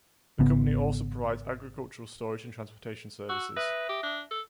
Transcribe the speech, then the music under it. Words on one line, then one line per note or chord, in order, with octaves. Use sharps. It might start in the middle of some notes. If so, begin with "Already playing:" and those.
The company also provides agricultural storage and transportation services.
G#1 C#3 B3
F#4 E6
B4 E5 D#6 A#6
G4
D4
A4